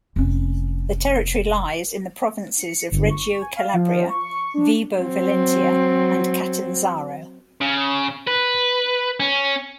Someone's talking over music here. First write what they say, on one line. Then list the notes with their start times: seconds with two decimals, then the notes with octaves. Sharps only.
The territory lies in the provinces of Reggio Calabria, Vibo Valentia and Catanzaro.
0.16 F1 C#4
2.59 C#7
2.91 G1
3.10 C#6
3.41 G#5
3.56 F5
3.74 F3
4.09 C#6
4.54 D4
5.00 F#3 C4
7.61 C#3
8.27 B4
9.20 C#4